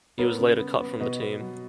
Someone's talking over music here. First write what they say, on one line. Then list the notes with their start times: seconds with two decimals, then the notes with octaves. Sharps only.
He was later cut from the team.
0.18 B3 A#4 C#5
0.39 C#3
0.59 B3
0.80 B3
1.00 B2 B4 D#5
1.21 B3
1.40 F#3